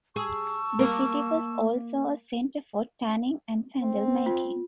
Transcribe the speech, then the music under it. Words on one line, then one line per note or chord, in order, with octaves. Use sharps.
The city was also a center for tanning and sandal making.
G#4 A5 C#6 E6
A#3 A#4
C4
F4